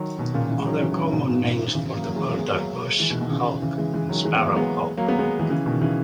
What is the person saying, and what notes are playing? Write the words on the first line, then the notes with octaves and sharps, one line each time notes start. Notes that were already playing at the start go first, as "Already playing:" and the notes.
Other common names for the bird are bush hawk and sparrow hawk.
Already playing: D#3 F#3
B2 D#3
A#2 C#3
C#3 E3
G#3
D#3 F#3
C#3 E3
D#3 F#3
C#3 E3
G#2 B2
A#2
G#2
C#3 E3
C#3 E3
F#3 A#3
F#3 A#3
E3 G#3
F#3 A#3
G#3 B3
F#3 A#3
E3 G#3
B2 D#3
B2 D#3
C#3 E3
C#3 E3
E3 G#3
E3 G#3
D#3 F#3
E3 G#3
G#3 B3
F#3 A#3
G#3 B3
F#3 A#3
G#3 B3
G#3 B3
E3 G#3
C#3 E3
B2 D#3
C#3 E3